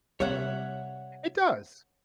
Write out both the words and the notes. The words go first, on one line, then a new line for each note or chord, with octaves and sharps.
It does.
C3 G3 C#5 E5 F#5